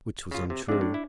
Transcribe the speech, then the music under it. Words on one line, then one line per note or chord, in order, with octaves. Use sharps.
Which was untrue.
C#3 F4
C3
F2 C3 D4
A2
E4